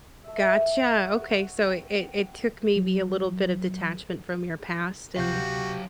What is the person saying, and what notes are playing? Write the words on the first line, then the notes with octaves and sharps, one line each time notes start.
Gotcha. Okay. So it it it took maybe a little bit of detachment from your past and
A3 E5
C#5 F#5
F#5
C4
F#3
D2 C3 F#3 F#4 G4 F5 G6